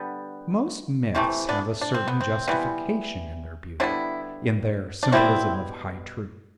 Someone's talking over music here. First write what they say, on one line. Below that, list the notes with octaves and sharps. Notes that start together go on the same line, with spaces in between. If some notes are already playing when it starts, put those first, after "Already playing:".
Most myths have a certain justification in their beauty, in their symbolism of high truth.
Already playing: D3 G3 B3
C3 E3 A3 C4
B3 D4
D4
C4
B3
C4
E3 G3 B3
D3 G3 B3 C4 E4
D4
B2 G3 B3 C4 E4